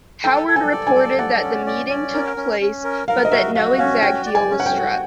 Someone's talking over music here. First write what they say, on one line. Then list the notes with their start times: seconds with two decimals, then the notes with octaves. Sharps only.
Howard reported that the meeting took place but that no exact deal was struck.
0.24 A4 G5
0.48 A4
0.56 G#5
0.72 D5
0.87 G#5
0.95 A4
1.18 D5 F#5
1.42 C#4
1.66 D5
1.89 C#4
2.14 A#4
2.37 C#4
2.61 C#4
2.84 A#4
3.08 A#4 F5
3.25 D#5
3.31 F#4 E5
3.55 F#4 F5
3.78 C#4 F5
4.03 F#4 G5
4.26 D5
4.35 G#5
4.51 C#4
4.60 F#5
4.66 G5
4.74 F#4